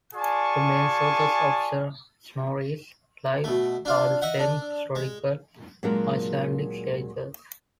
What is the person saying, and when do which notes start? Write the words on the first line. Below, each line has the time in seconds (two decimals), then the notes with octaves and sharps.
The main sources of Snorri's life are the semi-historical Icelandic sagas.
0.14 F4 G#4 D5 G#5 A5 C#6
3.44 B2 A3
3.85 D4 F4
4.22 D#5 E5 F#5
4.39 D4
4.95 G#3
5.83 A#2 F#3 G#3 D4 F#4 A#4